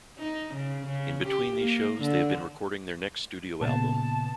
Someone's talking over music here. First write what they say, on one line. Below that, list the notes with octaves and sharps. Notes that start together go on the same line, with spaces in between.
In between these shows they have been recording their next studio album.
D#4
C#3
C#3
G4
A#3
D3
A#2 C#3 B3 A5